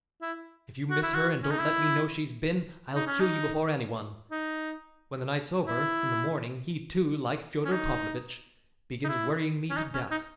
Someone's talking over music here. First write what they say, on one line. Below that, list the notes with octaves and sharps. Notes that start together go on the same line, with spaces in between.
If you miss her and don't let me know she's been--I'll kill you before any one.' When the night's over, in the morning, he, too, like Fyodor Pavlovitch, begins worrying me to death.
E4
F#4
E4
F#4
C#4
D#4
E4
D#4
C#4
D#4
D#4
E4
C#4
D#4
D#4
E4
C#4
D#4
C#4
D#4